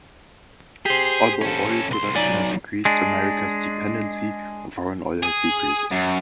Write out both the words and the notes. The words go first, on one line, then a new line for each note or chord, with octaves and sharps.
Although oil production has increased, America's dependency on foreign oil has decreased.
G4 G#4 C5
C#4 A4
C2 C6
F#3 D#4 D5 G#5
G#3 D4
G#4
F#2